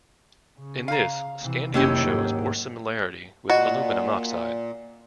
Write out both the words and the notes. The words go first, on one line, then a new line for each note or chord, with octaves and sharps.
In this, scandium shows more similarity with aluminium oxide.
C#3
F5 A#5
C3 E3
F1 D#2 F#3 C#4 E4 G4 E6
G#2
A#2 F4 F#4 D#5 F#5